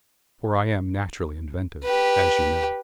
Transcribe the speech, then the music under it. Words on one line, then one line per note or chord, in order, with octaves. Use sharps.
For I am naturally inventive, as you know.
G4 B4